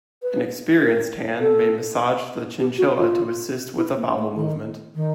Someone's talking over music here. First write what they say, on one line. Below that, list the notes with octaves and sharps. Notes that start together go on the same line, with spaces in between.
An experienced hand may massage the chinchilla to assist with a bowel movement.
B4
A#4
A4
G4
F#4
F4
E4
A#3
A3
D#3
D#3